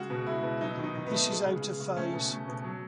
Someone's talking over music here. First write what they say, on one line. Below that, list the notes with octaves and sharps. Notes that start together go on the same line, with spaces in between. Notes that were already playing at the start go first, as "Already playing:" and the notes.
This is out-of-phase.
Already playing: C#3 G#3 F#4
B2
G#3 E4
B2
F#3 D#4
D#3
D#4
D#3
B3
A3
G#3
C#3
G#3
C#3
A3 C#4
B2
A3
B2
F#3